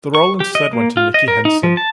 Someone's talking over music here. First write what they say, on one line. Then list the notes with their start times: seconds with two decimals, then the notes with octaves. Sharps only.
The role instead went to Nicky Henson.
0.15 C#6
0.40 G4
0.55 D#5
0.73 A#3
0.97 F4
1.14 D#5
1.28 A#4
1.45 D#4
1.63 F3
1.77 A5